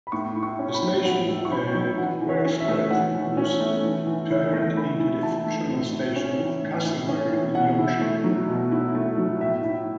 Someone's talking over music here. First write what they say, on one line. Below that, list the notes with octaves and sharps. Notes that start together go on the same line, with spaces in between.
The station at Wirksworth was turned into the fictional station of 'Castlebury' in Yorkshire.
B5
A2 C#6
E4
C#6
C#4
B5
F#3
A2 F#5
E4
C#6
C#4 B5
F#3
E3 F#5
E3
C#5
C#4
E5
A3
E3 F#5
E3
C#4
A3
E3
E3
E4
A3
E3 B5
E3
E4 A5
A3
A2
E4
C#4
E3
A2
E4
C#4
E3
B2 F#5
E4
A3
F#3
B2
E4
A3
F#3
A2 E5
E4